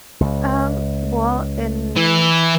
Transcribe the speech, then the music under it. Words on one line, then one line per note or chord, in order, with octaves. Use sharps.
Um, well, in
C#2
E3